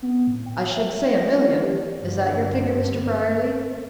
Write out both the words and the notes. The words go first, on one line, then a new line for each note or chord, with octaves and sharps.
"I should say a million; is that your figure Mr. Brierly."
B3
A2
G5
E5
A#6
E4
G4
G2 D3